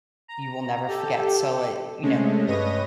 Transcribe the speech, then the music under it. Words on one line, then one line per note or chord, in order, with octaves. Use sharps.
you will never forget, so, uh, you know,
A#5
G4 A4
C3 G#3 A3 C#4
G2 B4 C#5 D#5 A#6 D#7